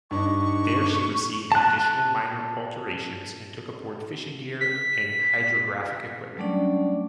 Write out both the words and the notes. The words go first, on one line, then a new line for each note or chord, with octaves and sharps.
There she received additional minor alterations and took aboard fishing gear and hydrographic equipment.
G2 D4 D#4 C#6
A5 F#6
B6
F#3 G3 A3 C#4 D4 D5